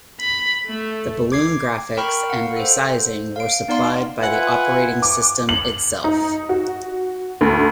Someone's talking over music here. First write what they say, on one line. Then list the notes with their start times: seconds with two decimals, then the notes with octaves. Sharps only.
The balloon graphics and resizing were supplied by the operating system itself.
0.20 B5
0.67 A3
1.32 D6 G#6 C7
1.97 A#4 G5 B5 C#6 F6
2.30 F5 F#5
2.56 A4 C5
3.36 F5 D7
3.68 B3 D#4 D5 F5 C6
4.22 F4 B4 E5 F#5 G#5
5.02 D6
5.49 F#7
6.04 D#4
6.49 F#4
7.41 D2